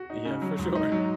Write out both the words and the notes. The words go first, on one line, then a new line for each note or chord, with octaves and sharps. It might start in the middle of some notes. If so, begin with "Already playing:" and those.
Yeah, for sure.
Already playing: F#4
D#4
C#3
F#3
G#2
D#4
F#3